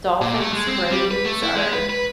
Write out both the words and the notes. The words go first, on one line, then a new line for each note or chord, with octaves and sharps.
dolphins' brains are
A#2
A3
G#3
C4
G3
B4
A3
E4
G#3
B4
B4